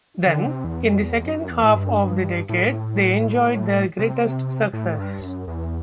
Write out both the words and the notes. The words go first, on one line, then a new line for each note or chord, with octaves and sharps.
Then, in the second half of the decade, they enjoyed their greatest success.
D3
C3
E2
F#2
E2
F#2
E2
A2
G2
A2
C3
A2
G2
F#2
E2